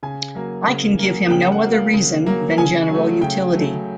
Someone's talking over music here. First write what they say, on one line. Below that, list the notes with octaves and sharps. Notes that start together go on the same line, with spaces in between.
I can give him no other reason than general utility.
C#3 G#5
F#3 A#3
C#3
F#3 A#3
C#3 G5
F#5
F#3 A#3
F5
C#3
F#3 A#3
C#3 G#5
F#3
A3
C#3 G5
F#3 A3